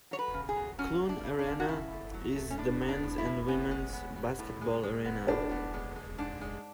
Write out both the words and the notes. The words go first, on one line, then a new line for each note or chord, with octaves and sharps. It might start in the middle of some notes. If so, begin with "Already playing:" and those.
Clune Arena is the men's and women's basketball arena.
F#3 C#5
B4
C#3
G#4
F#3
F#3 C#4
A3
D4
C#3
D4
C#3
F#4
C#3 E4
A3
F#3
A3
C#4
A2 D4
B3
D4
A2
E4
A2
B3 C#4
G#3
B3
B3
A2
G#3
G#3
B3
A2 D4
B3
G#3
G#3
G#2 D4
G#3